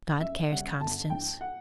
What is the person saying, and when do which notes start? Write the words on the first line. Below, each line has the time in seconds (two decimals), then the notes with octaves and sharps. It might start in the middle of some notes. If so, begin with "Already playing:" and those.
"God cares, Constance."
0.20 F#2 E5
0.51 C#3 G3 C#4 F#5
0.81 G1 A5
1.10 G2 E3 G5
1.41 F#5